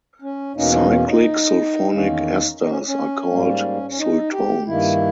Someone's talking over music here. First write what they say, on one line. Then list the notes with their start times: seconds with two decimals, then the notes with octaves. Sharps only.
Cyclic sulfonic esters are called sultones.
0.22 C#4
0.56 E2 B2 A#3 C#4 D#4
0.73 D#4
0.90 C#4
1.08 D#4
1.93 E2 D#3 A#3 C#4
2.61 D#4
2.70 C#4
2.87 C#4
3.30 G#2 G3 A#3
3.90 C#4
3.98 D#4
4.32 G4
4.67 G2 D#3 A#3 E4